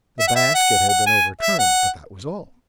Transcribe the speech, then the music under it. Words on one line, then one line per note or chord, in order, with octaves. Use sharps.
The basket had been overturned, but that was all.
E5
F#5
E5
F#5
F#5
G#5
E5
F#5